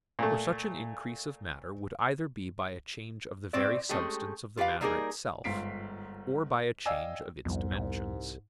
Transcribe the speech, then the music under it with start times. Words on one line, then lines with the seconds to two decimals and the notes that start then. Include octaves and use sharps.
For such an increase of matter would either be by a change of the very substance of the matter itself, or by a change of its dimensions.
0.19 A#2 A3
3.53 A2 C4 D5
3.89 G#3 A3 C4 C#4 G4
4.57 F4 G4 B4 F5
4.81 G3 A#3 D#4 G4 G#4 A#4
5.44 G1 G#2 F4 B6 C7 D7
6.86 D5 D#5 F5 G5 G#5 E6
7.45 C2 F2 G#2 G3 B3
7.72 C2